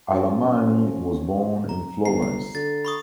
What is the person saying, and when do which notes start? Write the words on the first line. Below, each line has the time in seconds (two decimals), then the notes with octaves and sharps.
Alamanni was born in Florence.
0.12 F3 F#3 C#4 F#4
1.69 A#5
2.05 G1 C7
2.22 C7
2.55 D3 A6
2.85 B5 C#6 D#6